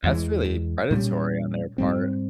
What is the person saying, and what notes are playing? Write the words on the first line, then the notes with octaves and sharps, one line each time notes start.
That's really predatory on their part.
E2 E3 G#3
A#2 G3 C#4
G#2 G3 C4